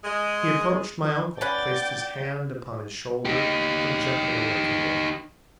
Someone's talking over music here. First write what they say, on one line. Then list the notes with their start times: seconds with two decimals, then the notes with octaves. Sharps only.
He approached my uncle, placed his hand upon his shoulder, and gently awakened him.
0.04 G#3
1.41 C#4 B4 D5 F#5 G5 A6
3.25 D#4 G4